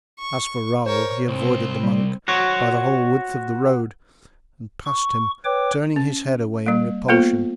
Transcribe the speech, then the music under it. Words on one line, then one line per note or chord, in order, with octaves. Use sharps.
As for Raoul, he avoided the monk by the whole width of the road and passed him, turning his head away in repulsion.
C#6
A#4 C5 C#5
C2 C4
G3
F#4 C5 C#5
C#6
B4 C#5 G5 D6
C#4
G3 A#3
A#3 B3 F4 A4 C5